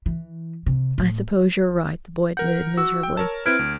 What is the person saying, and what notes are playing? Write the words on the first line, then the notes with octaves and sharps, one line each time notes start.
"I suppose you're right," the boy admitted miserably.
E3
C3
A2
A#4 F#5 G6
F#4 E6
G5
A#4 C#5 A5
C4 E4 B4 F6 G#6 D7
D2